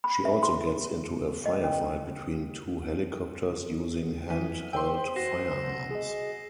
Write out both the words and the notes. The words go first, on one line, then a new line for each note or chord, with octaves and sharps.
She also gets into a firefight between two helicopters, using handheld firearms.
B5
E5
C6
D#5
C#4
E3 B6 D#7
C5 G5 C6 E6
F#4 A#6 C7 E7
G#4 D#5